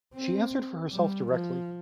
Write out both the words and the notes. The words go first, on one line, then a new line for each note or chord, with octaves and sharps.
She answered for herself directly.
C4
G3
F3